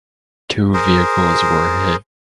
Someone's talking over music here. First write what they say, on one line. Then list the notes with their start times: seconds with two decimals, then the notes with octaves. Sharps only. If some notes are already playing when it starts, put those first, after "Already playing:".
Two vehicles were hit.
0.74 G#4 A#4 C5